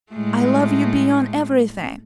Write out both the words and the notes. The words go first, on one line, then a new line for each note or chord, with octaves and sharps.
I love you beyond everything....
A2 G#3 A3